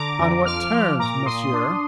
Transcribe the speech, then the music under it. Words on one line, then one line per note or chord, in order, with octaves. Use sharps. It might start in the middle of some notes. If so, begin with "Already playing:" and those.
"On what terms, monsieur?"
Already playing: D3 A#5 D6
F2
F3 D6 F6
F3
A#2 A#5 D6
A#2 C6 D#6
D4